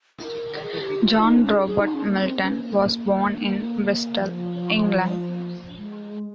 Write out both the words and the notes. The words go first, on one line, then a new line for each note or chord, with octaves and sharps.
John Robert Milton was born in Bristol, England.
A#4
G#4
G4
F4
D#4
C4
C#4
G#4
G#4
D#4
C#4
A#3
C4
C#4
A#3
F3
G#3